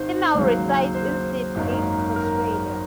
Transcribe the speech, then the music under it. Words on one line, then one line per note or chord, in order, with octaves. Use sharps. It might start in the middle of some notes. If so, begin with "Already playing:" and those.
He now resides in Sydney, Australia.
Already playing: G#1 G#2 D#3 C4 C5
D#2 C#3 F#3
C5
G#1 F#2 D#3 A#3 D#4
A#4